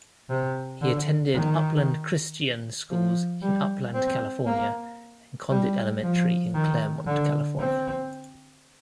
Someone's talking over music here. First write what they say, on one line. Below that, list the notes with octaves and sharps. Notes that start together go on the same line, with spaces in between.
He attended Upland Christian Schools in Upland, California and Condit Elementary in Claremont, California.
C3
D3
D#3
F3
G3
C4
A#3
G3
F3
D#3
D3
C4